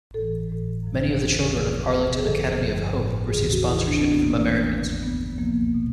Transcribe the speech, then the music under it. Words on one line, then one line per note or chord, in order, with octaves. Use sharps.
Many of the children of Arlington Academy of Hope receive sponsorship from Americans.
A2 E3 A4
A2 E3
F#2 D3 F3
D#2 C#3 E3
F#2 D3 F3 G#4
G#2 F3
G#4
F2 D3 F3 A4
G2 D3 F3
A2 F3
D#2 C#3 E3 G#4
G4
F#4
G#2 E3 E4
D#4
D4
D2 C3 D#3 C4
B3
A#3
A2 E3 A3
D#2 D3 F3
F#2 D3 F3 B3
D2 C3 F3 A#3
B2